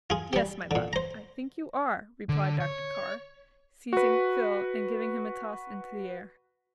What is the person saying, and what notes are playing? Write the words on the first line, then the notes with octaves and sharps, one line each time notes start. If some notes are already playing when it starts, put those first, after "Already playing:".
"Yes, my love, I think you are," replied Dr. Carr, seizing Phil and giving him a toss into the air.
F4 G#4
G3 G4
A#2 D3
C5 A#5
D3
C#5
F#4 B4